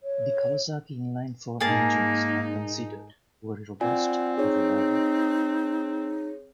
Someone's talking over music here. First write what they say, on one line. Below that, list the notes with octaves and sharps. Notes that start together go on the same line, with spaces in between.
The Kawasaki inline-four engines are considered very robust and reliable.
C#5
G#2 A#3 D#4 G#4 A#4 A5
C4 F4 D5 F#5 G#5
D#4 G#4 C#5